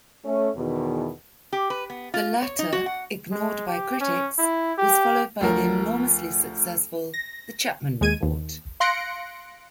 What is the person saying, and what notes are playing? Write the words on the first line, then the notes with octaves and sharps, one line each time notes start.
The latter, ignored by critics, was followed by the enormously successful "The Chapman Report".
A3 C#4
E2 B2 D#3
G4
B4
B3
F4
C#5
D#4
F#4
F#5
G#3
G4
C#4
E4
G4
D2 F3 A#4
A#6
D#2 G#3 G#6 D#7
D#2
F5 C6 F#6 A#6 C#7 D7